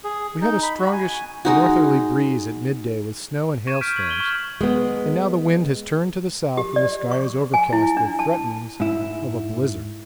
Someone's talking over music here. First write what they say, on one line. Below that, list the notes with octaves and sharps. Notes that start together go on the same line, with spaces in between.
We had a strongish northerly breeze at midday with snow and hail storms, and now the wind has turned to the south and the sky is overcast with threatenings of a blizzard.
G#4
D#4
B5
F#4
G#5
G#3 D#4 F#4
C#6 G#6 D#7 E7
F6 G6 B6 D7
G#6 F#7
F#7 G7
C#6 E7
G#3 B3
G4
D5
C#6
G#5
E4
D4
A5
G#2 E4